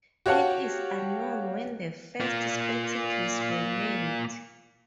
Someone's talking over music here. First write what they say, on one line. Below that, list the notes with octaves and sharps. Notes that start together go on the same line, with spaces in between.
It is unknown when the first spectacles were made.
F#4 G4 C#5 F5 F#5 A5
A#3 F4